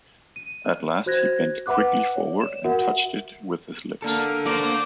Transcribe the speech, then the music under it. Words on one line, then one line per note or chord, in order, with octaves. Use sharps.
At last he bent quickly forward and touched it with his lips.
D#7
F#4 C5 F#6 G#6 A#6
B4 E5 F#5 D6 F#6
C#5 D5
E7
F#4 A#4 E5 F#5
A#3 D4 A4 F6
A#3 C5 D5